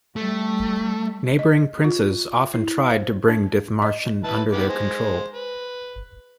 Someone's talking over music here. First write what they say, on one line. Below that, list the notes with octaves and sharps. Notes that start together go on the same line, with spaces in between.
Neighbouring princes often tried to bring Dithmarschen under their control.
G3 A3
D#5
F4
E4
C5
D4
D#5
E4 B4 A5
D#3 B3 D6
G#3 C5
B4